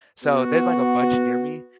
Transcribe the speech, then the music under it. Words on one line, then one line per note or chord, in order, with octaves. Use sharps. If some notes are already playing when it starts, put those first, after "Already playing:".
so, there's, like, a bunch near me,
B3 F#4